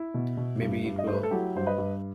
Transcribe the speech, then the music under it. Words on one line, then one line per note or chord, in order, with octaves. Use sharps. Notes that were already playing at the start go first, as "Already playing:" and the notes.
Maybe it will.
Already playing: E4
B2
B2
G2
G2
D#5
A3 C5
B4
A4
F#3 E4 G4
G2 C5
B4 D#5
G2